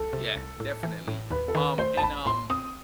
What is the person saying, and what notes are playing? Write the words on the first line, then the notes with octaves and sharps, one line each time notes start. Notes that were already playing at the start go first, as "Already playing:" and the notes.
Yeah, definitely, um and, um,
Already playing: C2 A4
C3
C2
A2
E3
A2
D#2 B4
A4
D#3 B4
A3 C5
A5
A1 B5
A2 C6
C4 D#6